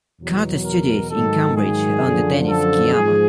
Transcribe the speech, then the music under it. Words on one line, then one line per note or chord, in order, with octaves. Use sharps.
Carter studied at Cambridge under Dennis Sciama.
E2 B2 F#3
A#4
G#2 D#3 F#3 A4
G#4
F#2 D3 F3
A4
G#2 F3 G#4